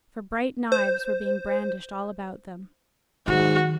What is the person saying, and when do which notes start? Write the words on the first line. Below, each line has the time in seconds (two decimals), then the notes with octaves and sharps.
For bright knives were being brandished all about them.
0.72 C5
3.27 G#2 D#3 F#3 F#4